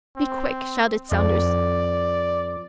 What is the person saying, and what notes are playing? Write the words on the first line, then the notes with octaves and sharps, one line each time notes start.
"Be quick!" shouted Saunders.
C4
F2 D5